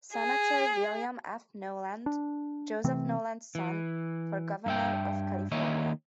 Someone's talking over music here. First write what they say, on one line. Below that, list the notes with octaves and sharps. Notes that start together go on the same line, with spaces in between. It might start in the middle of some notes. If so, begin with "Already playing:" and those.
Senator William F. Knowland, Joseph Knowland's son, for governor of California.
G#4
D4
C3 E3 A3 C4
E3
G2 E5 G5
D#3 A#3 C#5 D#5 E5